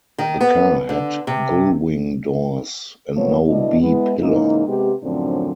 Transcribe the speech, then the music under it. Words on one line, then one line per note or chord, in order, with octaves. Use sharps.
The car had gullwing doors and no B-pillar.
D#3
B3
D3
C3
F#2 A#2 F3 A3 B3 C#5
D2 B2 D4 E4 D#5
G#3 B3 E4
G#2 C#3 E3 A#3 D#4
C3 G#3 B3 G4
F#2 A2 D3 F3 C4 D4